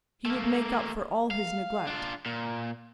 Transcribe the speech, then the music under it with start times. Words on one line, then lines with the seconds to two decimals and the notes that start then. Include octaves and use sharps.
He would make up for all his neglect.
0.26 A3 A#3
1.31 F5
1.87 D4 F4
2.26 A#2